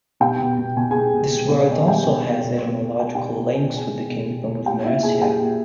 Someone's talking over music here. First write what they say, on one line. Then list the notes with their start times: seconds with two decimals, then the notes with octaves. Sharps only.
This word also has etymological links with the Kingdom of Mercia.
0.20 B2 G4 G5
0.40 B2
0.58 B2
0.76 B2 G#5
0.90 B2 G#4 G#5
1.14 B2
1.32 B2
1.51 B2
1.69 B2 D#5
1.79 E5
1.88 B2 G4 G5
2.06 B2
2.25 B2
2.44 B2
2.63 B2
2.81 B2
2.99 B2 G5
3.07 G#5
3.14 B2 G4 G5
3.36 B2
3.55 B2 G#5
3.74 B2 G#4 G#5
3.92 B2
4.11 B2
4.29 B2
4.48 B2
4.66 A#2 G4 G5
4.84 A#2 E4 E5
5.03 A#2 G#4 G#5
5.21 A#2 G4 G5
5.41 A#2